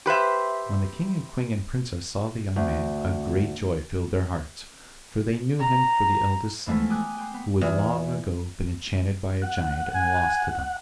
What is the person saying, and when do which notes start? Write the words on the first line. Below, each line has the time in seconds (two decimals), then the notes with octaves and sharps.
And when the king and queen and princess saw the young man a great joy filled their hearts, for they knew him for the eldest son, who had long ago been enchanted by a giant and lost to them.
0.06 G4 B4 C5 E5
2.56 D2
5.59 A#5
6.66 E3 F3 G#3 A3 B3 E4
6.90 G5 G#5 D6 D#6 F#6
7.17 G5 C6
7.34 B3
7.61 E2
9.42 F#5
9.95 G#5